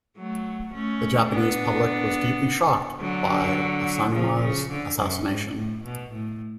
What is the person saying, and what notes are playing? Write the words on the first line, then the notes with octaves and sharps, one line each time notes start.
The Japanese public was deeply shocked by Asanuma's assassination.
F#3 A3
A3 C#4
B3 D4
D3 F#3
C#3 F3
C#3
D3
F#2
G#2
A2
B2
A2